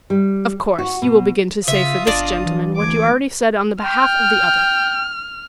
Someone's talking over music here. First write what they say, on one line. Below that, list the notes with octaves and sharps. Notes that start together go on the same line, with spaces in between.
"Of course, you will begin to say for this gentleman what you already said on the behalf of the other."
G3
F#4
B2
C#3 F4 E5 D#6
G1 D4 D5 D#5
E3
D2 D6 G#6
G5 F6